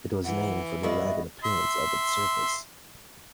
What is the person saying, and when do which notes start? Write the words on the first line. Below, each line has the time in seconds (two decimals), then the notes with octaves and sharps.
It was named for the ragged appearance of its surface.
0.24 E3 F#5
0.83 G2 B3 G#4 B4 D#5 E5
1.44 E5 C6